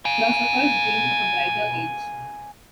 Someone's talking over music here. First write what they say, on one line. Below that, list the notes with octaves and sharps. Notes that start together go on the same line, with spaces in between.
Philosophers dreamed of a brighter age.
F5 G#5